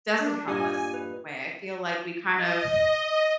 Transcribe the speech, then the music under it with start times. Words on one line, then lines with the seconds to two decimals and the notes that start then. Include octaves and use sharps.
doesn't help us in a way. I feel like, we kind of
0.21 D4
0.48 G2 A#2 G4 D#5 G#5
0.94 B4
2.35 D#5